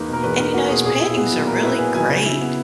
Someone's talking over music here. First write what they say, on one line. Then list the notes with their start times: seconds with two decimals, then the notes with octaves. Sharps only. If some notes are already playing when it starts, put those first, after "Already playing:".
And, you know, his paintings are really great.
Already playing: E2 A#3 D#4 B4
0.08 B2
0.13 A#4
0.23 E2 B4
0.39 D#4 A#4
0.54 A#3 F#4
0.70 B2 G#4
0.85 A#2 G#4
1.01 E4
1.16 B3 G#4
1.32 F#3
1.47 A#2 A#4
1.63 E4 B4
1.79 B3 G#5
1.94 F#3 G#5
2.09 C#3 G#5
2.25 E4
2.41 B3